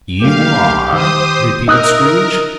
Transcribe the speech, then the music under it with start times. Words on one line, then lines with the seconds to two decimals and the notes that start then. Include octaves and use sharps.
"You are?" repeated Scrooge.
0.22 F#3 A3 A#3 G4 F5
0.92 D#3 C5 D#6
1.68 D#4 A#4 D#5 E5 D#6 F#6